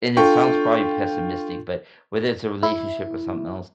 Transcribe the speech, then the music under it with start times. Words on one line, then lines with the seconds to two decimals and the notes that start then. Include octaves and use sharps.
and it sounds probably pessimistic, but, whether it's a relationship or something else,
0.17 D4 F4 A4 G5 C#6
2.63 E4